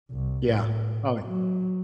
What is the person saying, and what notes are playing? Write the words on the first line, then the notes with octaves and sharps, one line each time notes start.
Yeah, probably.
C2
A2
F#3